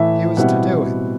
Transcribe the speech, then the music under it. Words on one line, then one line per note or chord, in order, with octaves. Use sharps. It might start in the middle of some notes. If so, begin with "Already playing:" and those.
He was to do it.
Already playing: A2 E3 A3 E4 E5
B2 G3 C4 E4 F#5